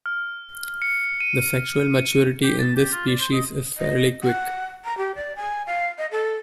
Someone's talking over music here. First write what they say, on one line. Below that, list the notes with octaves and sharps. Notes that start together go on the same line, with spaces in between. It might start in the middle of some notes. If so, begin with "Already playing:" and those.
The sexual maturity in this species is fairly quick.
F6
C#7
D#7
G4
A5
G4
F4
D5
C5
D#5
D#5
F#5
A#5
G4
D5
G#5
F5
D#5
A4